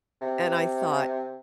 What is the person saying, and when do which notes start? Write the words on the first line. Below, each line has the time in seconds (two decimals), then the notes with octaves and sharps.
And I thought,
0.21 C3